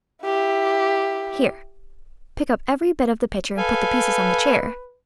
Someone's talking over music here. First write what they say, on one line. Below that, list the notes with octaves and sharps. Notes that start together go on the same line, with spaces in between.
Here, pick up every bit of the pitcher and put the pieces on the chair.
E4 G4
A4 B4 F5 G#5